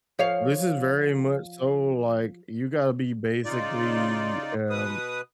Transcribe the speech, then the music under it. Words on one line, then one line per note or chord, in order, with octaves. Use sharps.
this is very much so, like, you gotta be basically, um
F3 C#5 F5
C#3 D#4 F4 D5
B2 B4 D#6